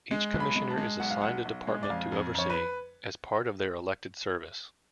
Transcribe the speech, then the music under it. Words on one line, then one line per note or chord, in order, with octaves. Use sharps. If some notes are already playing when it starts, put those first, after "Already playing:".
Each commissioner is assigned a department to oversee as part of their elected service.
G#3
B1
B5
G#3
A5
G#3
B1 F#5
F5
B1 F#5
B1
G#3
D5
F2 F5
F2
F2 C#5
B4